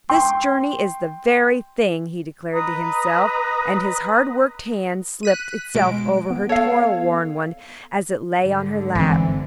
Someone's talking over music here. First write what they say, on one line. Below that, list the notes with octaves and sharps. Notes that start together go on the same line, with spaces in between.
"This journey is the very thing," he declared to himself, and his hard-worked hand slipped itself over her toil-worn one as it lay on her lap.
G5 C6
B4 D#5 A#5 D#6
F#6 B6 D#7
B2 G#3 D7
B3
A4 C#5 F5
G#2 D3
G1 E3 C4